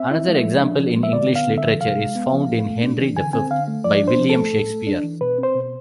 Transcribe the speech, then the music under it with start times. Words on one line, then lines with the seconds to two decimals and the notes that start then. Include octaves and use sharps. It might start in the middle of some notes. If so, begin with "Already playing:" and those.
Another example in English literature is found in "Henry the Fifth" by William Shakespeare.
Already playing: C4 E5
0.11 E4
0.28 G#3
0.45 F3
0.62 D4
0.78 F3
0.96 G#3
1.03 E5
1.13 D3 D5
1.29 B3
1.36 F5
1.47 D3
1.58 E5
1.64 F3
1.81 C3 F5
1.98 G#3
2.15 B3
2.32 F3
2.49 A2
2.66 A3
2.83 D4
3.00 E3
3.17 D3 G#5
3.33 C4 G#5
3.51 D3 F5
3.68 A3
3.84 F3 D5
4.02 D4
4.08 C5
4.19 F3
4.30 A4
4.36 A3
4.52 A2
4.70 A3
4.87 D4
5.04 E3
5.21 B2 B4
5.38 C4
5.43 C5
5.55 B2